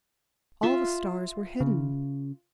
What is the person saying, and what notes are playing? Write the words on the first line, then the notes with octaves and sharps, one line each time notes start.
All the stars were hidden.
F4 E5
C#3